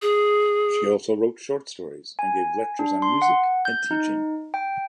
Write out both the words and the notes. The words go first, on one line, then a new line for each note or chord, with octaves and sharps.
She also wrote short stories and gave lectures on music and teaching.
G#4
G#5
D4
C6
F#5
G6
D#4
G5